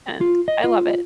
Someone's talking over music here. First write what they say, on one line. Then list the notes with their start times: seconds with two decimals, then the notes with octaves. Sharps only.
and I love it.
0.21 F4
0.48 D#5
0.64 F4